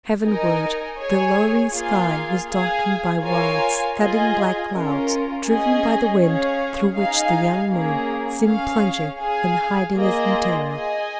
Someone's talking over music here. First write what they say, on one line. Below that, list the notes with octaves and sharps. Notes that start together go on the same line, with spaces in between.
Heavenward, the lowering sky was darkened by wild, scudding, black clouds, driven by the wind, through which the young moon seemed plunging and hiding as in terror.
D#4 A#4 D#5 G#5
G#4 C#5 G#5
A#3 F4 G#4 F5 G#5
G#4 F5 G#5
F4 A#4 C#5 F5 G#5
F4 G#4 D#5 G#5
C#4 F4 A#4
C#4 G#4 D#5 G#5
C#4 G#4 C#5 F5
D#4 G#4 F5 G#5
A#3 C#4 G#4
C#4 G#4 F5
G#4 F5 G#5
A#3 F4 G#4 D#5
G#4 D#5 G#5